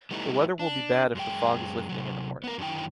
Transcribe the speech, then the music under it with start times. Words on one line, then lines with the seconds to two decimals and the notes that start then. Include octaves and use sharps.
The weather will be bad if the fog is lifting in the morning.
0.11 G3 A3 B3 D#4 E4
0.59 D4
1.15 F#2 G#3 G5
1.89 C3 F#3
2.44 B3 A#4
2.58 F#2 D3 D#3 E4 G5